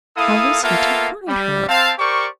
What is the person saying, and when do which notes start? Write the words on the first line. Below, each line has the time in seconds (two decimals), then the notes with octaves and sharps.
How was he to find her?
0.17 A#3 E4 A4 F5 D#6
0.62 A#3 B3 F4 A4 E5 F5
1.28 G3
1.68 C4 F5 A5
1.98 G4 A#4 C5 D5 C#6